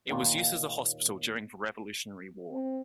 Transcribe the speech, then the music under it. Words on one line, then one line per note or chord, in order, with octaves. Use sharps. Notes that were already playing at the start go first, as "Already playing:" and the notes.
It was used as a hospital during the Revolutionary War.
D#2 A#2 F4
C4